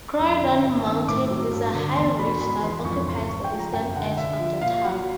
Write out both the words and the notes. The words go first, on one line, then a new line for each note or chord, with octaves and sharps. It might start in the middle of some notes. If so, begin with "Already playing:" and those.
Croydon Mountain is a high ridge that occupies the eastern edge of the town.
F2 E6
D3
G2
D#3 E6
A2 D6
F#3
G2
D3
E2 C6
B2 B5
G#2 B5
E3 C6
F2 C#6
C#3 C6
G#2 C#6
G5
F3
A#5
F#2 G5
D3 F#5
D3 E5
F3
A#2 F5
F#3 F#5